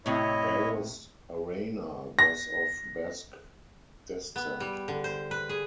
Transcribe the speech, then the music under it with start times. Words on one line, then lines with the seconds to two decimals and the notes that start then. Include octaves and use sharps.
Barros Arana was of Basque descent.
0.06 A2 C3 E4 C#5 D#5
2.19 A#6
4.36 B3
4.60 G3
4.88 D3
5.04 C5
5.31 B4
5.49 G#4